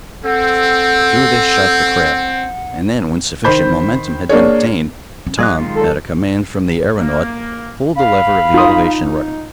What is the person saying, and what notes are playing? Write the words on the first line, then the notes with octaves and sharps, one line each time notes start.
Through this shot the craft, and then, when sufficient momentum had been obtained, Tom, at a command from the aeronaut, pulled the lever of the elevation rudder.
C4 A4 F#5
D#3 C5 B5 G6
A#3 D4 G#4 C#5
C#4
F#3 G#4 D#5 F#6
D#3 G#3 F4
A4
A#3
F5 B5
D#4 F4 D#6